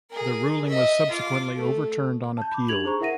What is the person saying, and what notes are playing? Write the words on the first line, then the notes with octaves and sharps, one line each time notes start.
The ruling was subsequently overturned on appeal.
G#4 A#4
D#5 E5
F4 D6
A3
A5 G6
B5 D6
D4 G4 G#6 F7 F#7
D#4 G#4 C5 A#5 C#6
E4 A#4 E5 F#5 A#6 D#7